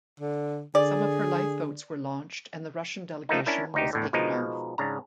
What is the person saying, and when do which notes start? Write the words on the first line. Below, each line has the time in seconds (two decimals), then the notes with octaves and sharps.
Some of her lifeboats were launched and the Russian delegation was taken off.
0.20 D3
0.75 D3 G#4 D5
3.29 F3 A3 A#3 D#4
3.46 C#4 D4 E4 A#4
3.74 D2 D#4 G4
3.93 E2 A2 D3
4.13 B2 F3 G#3 D#4 A#4
4.78 G#2 C#3 D4 A#5